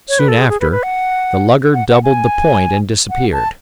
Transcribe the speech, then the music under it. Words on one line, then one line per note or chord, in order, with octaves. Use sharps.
Soon after, the lugger doubled the point and disappeared.
C#5
B4
A4
G#4
G#4
B4
B4
F#5
F#5
F#5
G#5
F#5
A5